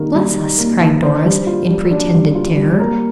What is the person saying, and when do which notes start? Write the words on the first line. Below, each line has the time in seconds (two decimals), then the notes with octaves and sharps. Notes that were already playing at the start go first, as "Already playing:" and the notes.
"Bless us!" cried Doris, in pretended terror.
Already playing: D#3 G3 A#3
0.14 G3
0.36 D#4
0.58 A#3
0.80 D#3
1.03 D4 C5
1.25 G3
1.47 F4
1.69 G3
1.91 D4
2.13 G3
2.35 F4
2.57 G3
2.79 A#3 A#4